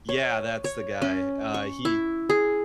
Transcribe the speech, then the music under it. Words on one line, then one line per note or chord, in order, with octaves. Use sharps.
yeah, that's the guy. Uh, he
C#5
C#5
C#4
C#6
E4
G#4